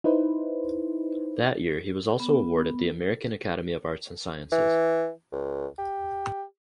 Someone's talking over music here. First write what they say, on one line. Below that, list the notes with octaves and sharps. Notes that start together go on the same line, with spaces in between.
That year he was also awarded the American Academy of Arts and Sciences.
D#4 E4 B4 C5
B3
E3
C#2
G4